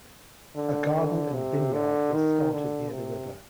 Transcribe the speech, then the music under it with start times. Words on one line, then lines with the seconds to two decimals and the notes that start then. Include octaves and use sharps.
A garden and vinyard were started near the river.
0.55 D3
0.95 D3
1.33 C3
1.73 D3
2.12 D#3
2.51 D3
2.90 C3